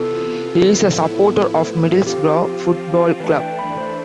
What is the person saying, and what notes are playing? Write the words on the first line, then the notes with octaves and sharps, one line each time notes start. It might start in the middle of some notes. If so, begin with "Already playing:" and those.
He is a supporter of Middlesbrough Football Club.
Already playing: C3 E3 B3 F4 A4
A2 F3 B3 E4
F3 C4 F4 G4
E3 A3 D4 B4
G5
B5
C5